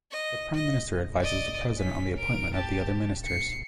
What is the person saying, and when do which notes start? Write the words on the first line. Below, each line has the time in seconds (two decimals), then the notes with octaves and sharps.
The Prime Minister advises the President on the appointment of the other Ministers.
0.11 D#5
0.54 D#5
1.19 D5 D#5
1.76 C#4 B6
2.17 A#4 D7
2.54 G4 A5
3.25 C7 C#7